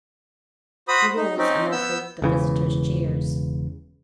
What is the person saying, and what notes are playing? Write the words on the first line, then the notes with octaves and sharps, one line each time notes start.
He rose and offered the visitors chairs.
F#4 C5 B5 D#6
D#4
C4 C#4 D#4
B3 E6 G6
E1 C#3 E3